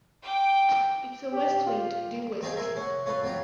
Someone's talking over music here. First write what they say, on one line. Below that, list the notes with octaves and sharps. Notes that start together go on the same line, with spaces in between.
It's a west wind, due west!
G5 D6
G4
F4
C4 D#4 F4 G4 G#4 C5
A#4 E5 G#5 C6
C#4 F#5
C#4 F4 A4 B4
F2 F#3 F4 G4